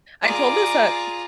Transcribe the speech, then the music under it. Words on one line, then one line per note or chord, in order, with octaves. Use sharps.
I told this at,
F4 G#4 D5 A#5